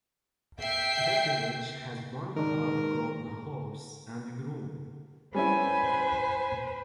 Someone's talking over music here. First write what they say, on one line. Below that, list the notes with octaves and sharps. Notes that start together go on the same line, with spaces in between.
The village has one pub called The Horse and Groom.
E5 G5 C7
G#2 D#3 D4 A#4
G3 C#4 E4 B4 C5 G#5